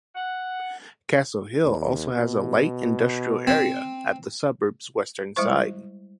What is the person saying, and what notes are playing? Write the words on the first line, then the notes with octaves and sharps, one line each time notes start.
Castle Hill also has a light industrial area at the suburb's western side.
F#5
D#2
B2
C4
G3 G#3 E4 C5 C#6